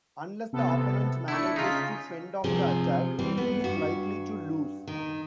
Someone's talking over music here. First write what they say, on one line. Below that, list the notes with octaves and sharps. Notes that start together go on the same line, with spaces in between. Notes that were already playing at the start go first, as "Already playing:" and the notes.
Unless the opponent manages to fend off the attack, he is likely to lose.
C3 B3 A4
A3 D4 E4 C#7
C#3 D#4 F4 G#4 B6
C3 F3 C4 G#4
E3 G3 C4
B3
G2 F#4
D#3